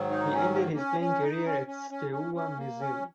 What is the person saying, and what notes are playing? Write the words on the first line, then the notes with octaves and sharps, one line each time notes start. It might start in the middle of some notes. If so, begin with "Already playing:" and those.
He ended his playing career at Steaua Mizil.
Already playing: G#2 D#3 F#3
D#4
C#4
A#3
A#3
C#4
C#4
D#4
C#4
C#4
C#4
C#4
C#4
A#3
C#4